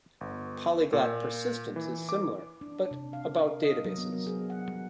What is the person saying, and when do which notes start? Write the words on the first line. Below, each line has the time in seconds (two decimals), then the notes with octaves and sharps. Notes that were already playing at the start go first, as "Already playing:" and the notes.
Polyglot persistence is similar, but about databases.
0.21 G1
0.93 A#2
1.76 E3
2.09 D6
2.61 D4
2.91 C3
3.13 F5
3.38 A#4
3.63 D#5
3.85 F#3
3.98 B3
4.12 A#4
4.27 G#4
4.50 F#5
4.68 G3